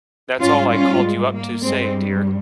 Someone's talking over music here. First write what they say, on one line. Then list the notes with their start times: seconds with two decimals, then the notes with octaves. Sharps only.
That's all I called you up to say-dear.
0.39 G#2 G3 C#4 F4
0.70 C#4 F4
1.01 G#3
1.33 A#3
1.63 G2 G3 G#3 C4